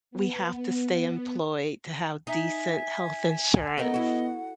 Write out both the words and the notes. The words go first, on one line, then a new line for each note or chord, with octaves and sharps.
we have to stay employed to have decent health insurance.
B3
D#4 E5 G#5
A3 B3 A#4 D#5 F#5
E4 F#4